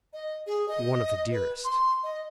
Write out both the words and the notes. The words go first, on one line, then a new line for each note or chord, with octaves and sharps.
One of the dearest.
D#5
G#4
D#5
B4
C6
D#5